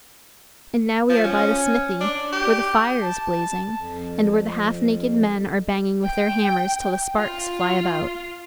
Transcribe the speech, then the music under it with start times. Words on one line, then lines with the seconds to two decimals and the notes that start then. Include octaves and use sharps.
And now we are by the smithy, where the fire is blazing, and where the half-naked men are banging with their hammers till the sparks fly about.
1.09 F3
1.24 C#4
2.01 D4
2.33 G4
3.02 A5
3.77 F2
6.04 G5
7.18 F4